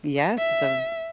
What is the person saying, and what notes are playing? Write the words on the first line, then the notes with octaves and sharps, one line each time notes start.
Yes, it's a v
E5